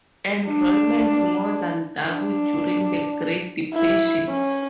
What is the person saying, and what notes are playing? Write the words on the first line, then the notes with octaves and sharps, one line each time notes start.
Enrollment more than doubled during the Great Depression.
D4
D4
E4
C#4